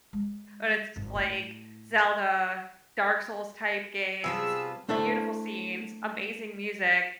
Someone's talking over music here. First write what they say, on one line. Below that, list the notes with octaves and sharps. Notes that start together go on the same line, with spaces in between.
Or it's like Zelda, Dark Souls-type games- beautiful scenes, amazing music,
G#3
G#1
A2
C3 G3 F4 G#4 B4 A5 E6
A3 D4 E4 A4 C5 E5